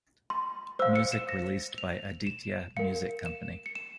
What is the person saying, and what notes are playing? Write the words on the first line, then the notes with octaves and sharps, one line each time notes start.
Music released by Aditya Music Company.
C6
C5 F5 E6
C#7
E7
A#6
F7
E7
A#4 F5 C#7
E7
C#7
E7